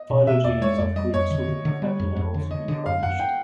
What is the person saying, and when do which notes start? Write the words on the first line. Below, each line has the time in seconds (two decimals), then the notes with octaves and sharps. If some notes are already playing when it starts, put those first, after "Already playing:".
Phylogenies of groups within the family have also been published.
Already playing: D#5
0.10 B2
0.27 B2 E5
0.44 E2 D5
0.61 G#3 C#5
0.78 F2 D5
0.96 G3 D#5
1.13 F2 C#5
1.31 D3
1.48 D3
1.65 D3
1.82 G3
2.00 F2
2.16 F2
2.34 D3
2.50 D3 D#5
2.68 D3 D#5
2.86 F#2 F5
3.03 F#2 F#5
3.20 G5